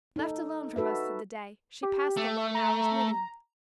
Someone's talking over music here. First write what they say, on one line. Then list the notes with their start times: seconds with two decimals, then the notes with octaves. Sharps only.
Left alone for most of the day, she passed the long hours knitting.
0.16 D#4 A4
0.76 D#4 F#4 A4 B4 E5
1.83 G4
2.17 A3
2.55 A#5